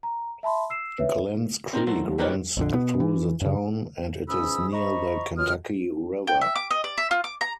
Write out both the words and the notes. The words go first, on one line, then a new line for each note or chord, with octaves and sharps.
Glenns Creek runs through the town, and it is near the Kentucky River.
A#5
E5 A5 B5 C6
E6 C7 E7
B4 C#5 E5
C4 D#4 F4 A#4
F#3 A3 A#4 C5
G3 A#3 D#4 B4 C#5 F5
A#1 F2 D3
B2 B3
E3
F#2 C#3
C#2 G#2 C#4 B5 D#6 E6
C5 D#5 A#5 B5 C#6
B2 C#4 F4 D#6 F6
G5
E5
D6
D#5
D5
E5
F4
D6
A#5